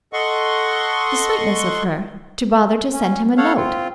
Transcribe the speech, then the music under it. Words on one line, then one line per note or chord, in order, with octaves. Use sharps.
The sweetness of her to bother to send him a note!
A4 D#5 F#5 C6 C#6
C#4
A4 C#5 F5 F#5
C4 F4